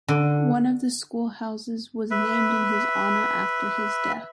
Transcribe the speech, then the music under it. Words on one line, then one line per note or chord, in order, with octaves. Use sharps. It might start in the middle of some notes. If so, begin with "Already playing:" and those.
One of the schoolhouses was named in his honour after his death.
D3
B4 E5